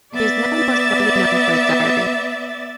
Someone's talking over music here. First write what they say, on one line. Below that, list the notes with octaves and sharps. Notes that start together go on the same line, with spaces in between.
He is now most widely known for his diary.
B3 D5 E5 A6